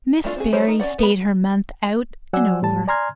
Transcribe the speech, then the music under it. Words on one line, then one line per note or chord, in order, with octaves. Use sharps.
Miss Barry stayed her month out and over.
G#3 A3 D4 E4 F4
C4 F#4 G#4
G3 A4 A#4 C5 C#5
D#4 A#4
C#4 F4 D5 F#5
B3 B5
F#3 D5 F#5 G#5 E6
A2 G3 A5
D5 G#5 A#5 C6 F6 G#6